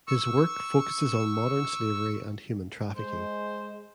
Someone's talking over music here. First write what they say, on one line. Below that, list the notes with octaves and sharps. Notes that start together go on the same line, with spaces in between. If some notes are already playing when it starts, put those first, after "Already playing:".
His work focuses on modern slavery and human trafficking.
C#6 E6
G#3 C5